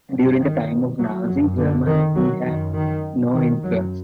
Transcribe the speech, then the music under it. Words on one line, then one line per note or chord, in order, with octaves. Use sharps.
During the time of Nazi Germany he had no influence.
G2
D#3
F#3
F#2 F#3
D3
D#3
F#3
F#2 D#3
D#3
D#3
F#2 F#3